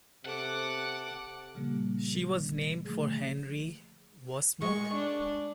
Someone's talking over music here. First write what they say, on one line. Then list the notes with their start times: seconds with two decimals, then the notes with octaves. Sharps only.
She was named for Henry Wasmuth.
0.25 C3 A4 F#5 D6
1.55 A#2 C#3 F3 G3 A#3 G4
2.85 D3 F3 A3 G#4
4.62 G#3 C#6
4.94 D4